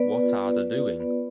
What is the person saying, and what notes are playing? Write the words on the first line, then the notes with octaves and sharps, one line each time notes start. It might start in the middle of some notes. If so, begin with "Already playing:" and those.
What are the doing?
Already playing: B3 B4 D5
F4
B3
B3